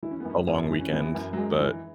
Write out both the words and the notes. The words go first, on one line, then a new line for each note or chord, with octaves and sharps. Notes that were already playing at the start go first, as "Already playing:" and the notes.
a long weekend. But,
E3 E4
C#4
B3
F#2
C#4
F#2 E4
E3
C#4
E3 B3
F#2
F#3
F#2 G#3
E3